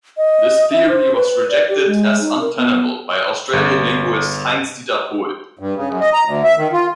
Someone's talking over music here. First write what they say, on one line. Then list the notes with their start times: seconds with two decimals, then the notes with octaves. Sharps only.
This theory was rejected as untenable by Austrian linguist Heinz-Dieter Pohl.
0.17 D#5
0.71 E5
0.88 C5
1.15 B4
1.50 D5
1.69 G4
1.87 G#3
2.21 D#4
2.41 A#4
2.58 B3
3.53 G1
5.59 G2
5.76 C#3
5.89 F#2
6.01 D#5
6.13 A#5
6.25 D2
6.44 E5
6.57 D#3
6.73 F4